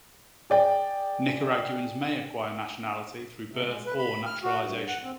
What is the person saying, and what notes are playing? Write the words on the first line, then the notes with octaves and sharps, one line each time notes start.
Nicaraguans may acquire nationality through birth or naturalization.
G#4 D5 G5
C3
G#3
B4
B5
F6
F#4
G2
F#5
C4